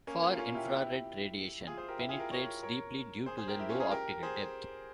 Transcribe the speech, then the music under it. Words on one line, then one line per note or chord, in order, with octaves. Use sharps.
Far infrared radiation penetrates deeply due to the low optical depth.
A#3 C#4
C#4 F4
C#4 F4
E4 G4
E4 G4
F4 G#4
G#4 C5
G4 A#4
E4 G4
F4 G#4
G4 A#4
A#4 C#5
A#4 C#5
G#4 C5
G#4 C5
G4 A#4
E4 G4
C#4 F4
F4 G#4
G4 A#4
G#4 C5